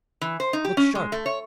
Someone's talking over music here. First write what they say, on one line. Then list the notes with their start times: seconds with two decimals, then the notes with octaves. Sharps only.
Look sharp!
0.21 E3
0.40 C5
0.53 D#4
0.65 G4
0.77 C#4
0.95 G#3
1.12 A3
1.26 C#5